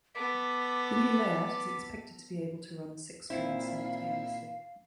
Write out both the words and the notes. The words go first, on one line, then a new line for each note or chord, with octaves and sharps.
The new layout is expected to be able to run six trains simultaneously.
B3 A4 D6 B6
A#2 C4 E4 F5